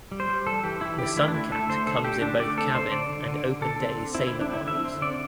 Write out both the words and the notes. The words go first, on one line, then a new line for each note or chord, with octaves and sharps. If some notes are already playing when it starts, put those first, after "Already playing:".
The Sun Cat comes in both cabin and open day sailer models.
G3
C5
G3
E3 A4
E3 G4
E3 E4
D3 G4
A3 E4
D4
D3 E4
A3 A4
D3 C5
D3 A4
A3 G4
D3 D4
A3 D5
C4 A4
D3 C5
D3 D5
D3
D3
D3
D3 A4
C4
D3
C4 E4
E4
D3
D4
C4 E4
D3 E5
C4
D3 D5